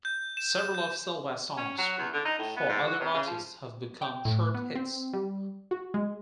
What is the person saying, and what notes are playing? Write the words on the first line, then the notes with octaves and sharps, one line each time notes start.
Several of Silvas' songs for other artists have become chart hits.
G6
E7
E7
G6
C#4
F#3
E2
D3
D#4
A2
B3
G#2
F#4
C3
C#3
F3
G5
A2
B3
C4
G3
F#4
G#3